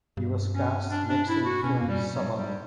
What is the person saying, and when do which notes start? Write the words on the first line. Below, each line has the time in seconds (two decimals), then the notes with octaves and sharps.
He was cast next in the film "Sabado".
0.17 G2
0.53 C#4
0.90 D4
1.09 D4
1.27 E4
1.45 F#4
1.63 B2 C#4
1.79 F#2 A#3
1.88 G3
1.99 A#2
2.13 C#3 F#3
2.19 B2
2.37 G3